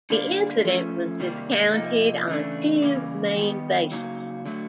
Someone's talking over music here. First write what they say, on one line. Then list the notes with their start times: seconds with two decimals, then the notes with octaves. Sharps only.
The incident was discounted on two main bases.
0.10 D3 G3 A#3 D4
0.64 F3 A3 C#4
1.20 C3 D#3 G3 A#3
1.74 C3 F3 A#3 D#4
2.28 C#3 E3 A3 D4
2.82 C#3 E3 G3 A#3
3.36 D#3 G3 B3
3.91 C#3 F#3 A#3 D#4
4.45 D3 F#3 A3